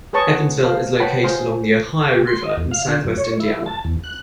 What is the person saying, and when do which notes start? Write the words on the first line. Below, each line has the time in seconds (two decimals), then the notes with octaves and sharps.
Evansville is located along the Ohio River in southwest Indiana.
0.13 G#4 B4 C#5 A5 C#6 D#6
0.30 F#5
0.64 C5 F5 A5 B5
1.00 B4 C#5 F#5 G5 A5 B5
1.24 F4 G#4 C5 G#5 C6
2.13 G4
2.27 C6
2.44 D#5
2.57 E2
2.71 F5
2.88 D3
3.05 F#2
3.18 C#5
3.40 E4
3.66 A5
3.85 E2
4.04 F#6